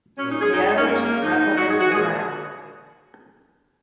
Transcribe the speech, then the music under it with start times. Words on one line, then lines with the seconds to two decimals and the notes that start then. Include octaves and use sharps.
The others wrestled him to the ground.
0.18 A#2 F#3 C#4
0.30 D#4
0.41 G#4
0.53 F#2 F#3 D#4
0.64 D#4
0.75 C#4
0.87 F#2 C#3 G#3 A#3
1.04 A#3
1.22 G#2 G#3 D#4
1.56 G#2 G#3 F#4
1.68 G#4
1.80 F#4
1.91 G#3 G#4
1.96 A#2